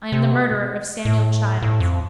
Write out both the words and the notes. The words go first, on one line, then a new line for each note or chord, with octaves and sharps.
I am the murderer of Samuel Childs.
C3
B2
A2
A2
F2